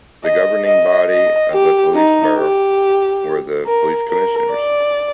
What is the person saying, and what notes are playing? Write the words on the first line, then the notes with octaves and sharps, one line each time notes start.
The governing body of a police burgh were the police commissioners.
D#5
D#5
D#5
G4
D#4
G4
A#4
A#4
D5